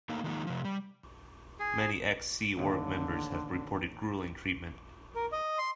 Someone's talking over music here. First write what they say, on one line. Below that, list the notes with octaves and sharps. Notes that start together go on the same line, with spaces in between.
Many ex-Sea Org members have reported gruelling treatment.
A3 A#3 D#4
D#3 F3 G#3 A#3 D#4
C3 F3
G3
G#4
A1 D#2 D3
A#4
D#5
C6